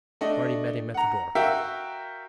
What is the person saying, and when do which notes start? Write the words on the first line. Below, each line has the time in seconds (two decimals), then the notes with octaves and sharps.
Marty met him at the door.
0.21 A3 D4 D#5
0.94 F#5 A#5
1.35 F#4 A#4 E5 F5 G5